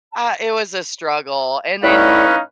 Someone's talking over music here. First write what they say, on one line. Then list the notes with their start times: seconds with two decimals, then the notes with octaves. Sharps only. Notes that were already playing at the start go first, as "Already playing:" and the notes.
uh, it was a struggle, and then,
1.83 A2 C#4 D#4 B4 C#5 D5 F5